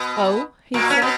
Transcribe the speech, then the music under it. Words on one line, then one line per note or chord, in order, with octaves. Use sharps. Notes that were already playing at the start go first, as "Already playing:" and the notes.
"Oh!" he said.
Already playing: B2 B3
A#2 A#3
C#4
B2 B3